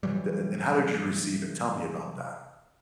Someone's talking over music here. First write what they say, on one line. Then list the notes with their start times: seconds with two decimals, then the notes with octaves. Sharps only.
The and and how did you receive it? Tell me about that.
0.03 C3 E3 F#3 G3